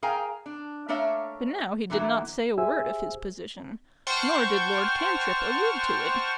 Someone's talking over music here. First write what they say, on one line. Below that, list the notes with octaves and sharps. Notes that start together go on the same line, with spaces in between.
But now he did not say a word of his position, nor did Lord Cantrip allude to it.
G#4 A#4 F5 G5 G#5 A#5
D4
A3 A#3 D4 C#5 E5 F5
D3 E3 F#3 A#3 E4
G4 G#4 C5 E5 G#5 E6
C5 F#5 G5 A5 C#6 F6